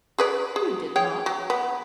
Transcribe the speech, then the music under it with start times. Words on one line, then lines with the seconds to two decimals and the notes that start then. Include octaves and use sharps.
"You did not."
0.18 G#4 B4 D5
0.56 G#4
0.96 G#4 C#5 G5
1.26 F#3
1.50 B3